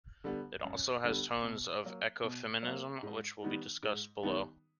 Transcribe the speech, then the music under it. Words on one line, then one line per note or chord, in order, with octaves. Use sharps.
It also has tones of ecofeminism, which will be discussed below.
D3 G3 B3
F#2
D3 G3 B3
B2
F#3 A#3
B2
F#3 A#3
G#2
D#3 G3 B3 D#4
G#2
D#3 G3 B3 D#4